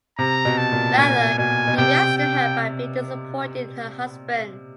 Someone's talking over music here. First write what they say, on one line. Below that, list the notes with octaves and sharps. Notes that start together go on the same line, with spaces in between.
Rather, he reacts to her by being disappointed in her husband.
C3 A#5
B2
A5
A#2
A#2 G#5
B2 G#5
B2
C3 G5
G5